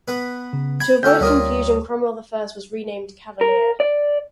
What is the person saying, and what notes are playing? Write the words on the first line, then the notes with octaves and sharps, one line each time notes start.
To avoid confusion Cromwell I was renamed "Cavalier".
B3 B4
C#3
G5 B5 G#6
D2 C#4 A4 G5 G6
D2 G3 A#3 F4 C#5 D#6
A#4
D5